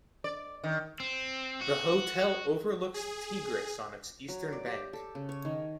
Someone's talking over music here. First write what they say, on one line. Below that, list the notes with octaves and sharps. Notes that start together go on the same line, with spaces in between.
The hotel overlooks the Tigris on its eastern bank.
D5
D#3
C4
F#4
G#4
F#3
D5
G4
A4
C#3
C#5
D#3